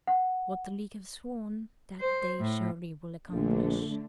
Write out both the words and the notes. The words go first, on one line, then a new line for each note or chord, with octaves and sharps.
What the league have sworn, that they surely will accomplish.
F#5
C5
A2
A#1 D3 A3